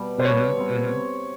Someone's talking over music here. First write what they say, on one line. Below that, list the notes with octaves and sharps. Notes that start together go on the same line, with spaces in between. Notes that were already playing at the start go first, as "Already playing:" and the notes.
Mhm, mhm.
Already playing: B2 G3
C5
B2 G3 C4 C#5
B2 G3 C4